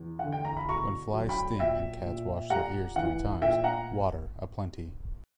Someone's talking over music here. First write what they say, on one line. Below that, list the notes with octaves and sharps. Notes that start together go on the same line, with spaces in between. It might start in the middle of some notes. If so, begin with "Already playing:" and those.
When flies sting and cats wash their ears three times, water aplenty.
Already playing: E2
D3 F#5
G5
A#5
B5
B2 A#5 C#6
F#3
G5 B5
A#2 E5 G5
A#2
G3 F#5 A#5
E3 F#5
A#2 E5 G5
F#5 A#5